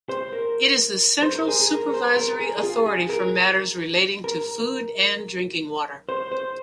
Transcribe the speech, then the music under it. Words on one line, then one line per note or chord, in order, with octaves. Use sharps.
It is the central supervisory authority for matters relating to food and drinking water.
C5
A#4
C5
A#4
G#4
G#4
A#4
C5
A#4
A#4
G#4
G#4
F4
G#4
A#4
A#4
C5
C5